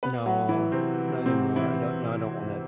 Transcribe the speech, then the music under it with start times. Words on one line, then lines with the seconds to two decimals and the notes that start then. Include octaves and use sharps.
No, not anymore. I don't no, I don't want it.
0.03 B3 B4
0.26 F#3 F#4
0.49 E3 E4
0.72 C3 C4
1.26 C3 C4
1.56 E3 E4